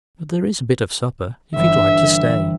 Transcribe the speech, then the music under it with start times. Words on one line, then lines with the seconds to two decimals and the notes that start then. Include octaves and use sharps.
But there is a bit of supper, if you like to stay.
1.56 G1 E3 E5